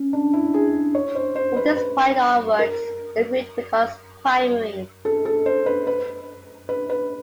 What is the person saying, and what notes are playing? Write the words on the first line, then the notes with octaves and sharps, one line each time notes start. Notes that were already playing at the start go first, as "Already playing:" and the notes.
From this point onwards, the route becomes Primary.
Already playing: C#4
D4
E4
G#4
C#5
C5
C5
B4
B4
A#4
A4
A4
C5
B4
B4
B4
B4